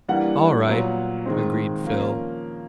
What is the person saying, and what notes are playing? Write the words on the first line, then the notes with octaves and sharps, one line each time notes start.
"All right," agreed Phil.
E3 G3 A#3 D4 F#5
A#2 F#3 B3
D#3 G#3 C4
F3 A#3 C#4